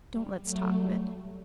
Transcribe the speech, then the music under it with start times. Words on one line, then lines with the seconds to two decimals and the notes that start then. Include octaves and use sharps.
Don't let's talk of it.
0.10 G3
0.42 F#3 A3
0.73 G3